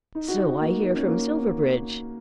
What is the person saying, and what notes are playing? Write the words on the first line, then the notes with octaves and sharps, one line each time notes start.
"So I hear from Silverbridge."
D#4
F#4
D#4
A#3
D#4
C#4
A#3